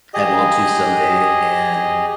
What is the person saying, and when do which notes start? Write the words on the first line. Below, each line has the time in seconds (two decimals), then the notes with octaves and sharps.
I want to someday, and
0.14 G4 G#4 D#5